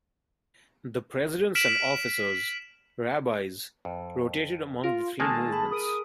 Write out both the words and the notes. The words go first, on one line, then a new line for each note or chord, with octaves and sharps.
The presidents and officers, rabbis, rotated among the three movements.
F6 B6 D7 E7 F#7
F2
F4 A#4
D#3 G#3 A#3 A4 G#5 A5
G#4 B5
G#4 A#4 D#6 D7